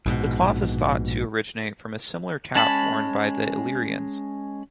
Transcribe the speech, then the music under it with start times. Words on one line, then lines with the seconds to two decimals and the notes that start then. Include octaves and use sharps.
The cloth is thought to originate from a similar cap worn by the Illyrians.
0.06 A#1 G#2 B2
2.55 G#3 C#4 A5 B5